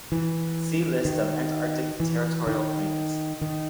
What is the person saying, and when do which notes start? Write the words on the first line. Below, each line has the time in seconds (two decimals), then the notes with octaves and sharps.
See List of Antarctic territorial claims.
0.12 E3
1.05 D#3
2.00 E3
2.47 D#3
3.41 D#3